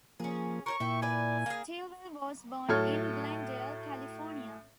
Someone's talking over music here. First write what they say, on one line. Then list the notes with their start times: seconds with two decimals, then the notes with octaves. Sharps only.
Stillwell was born in Glendale, California.
0.20 F3 A#3 C#4 G#4
0.66 A#4 C5 C#5 C#6
0.80 A#2 E4 E5 G5
1.02 B4 D5 G#5
1.46 A#3 G#4
2.69 A2 F#3 A4 C#5 F6 G#6